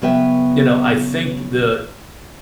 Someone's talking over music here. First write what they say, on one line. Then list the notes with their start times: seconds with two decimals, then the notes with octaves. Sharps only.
you know, I think the
0.02 C#3 F#3 B3 B4 E5 G5